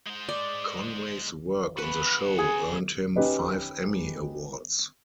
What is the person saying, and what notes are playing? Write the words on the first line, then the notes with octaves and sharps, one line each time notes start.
Conway's work on the show earned him five Emmy Awards.
G#3 C5
D5
C#3 F#4 B4
G#4
C#4 D#4 G4 B4 D#5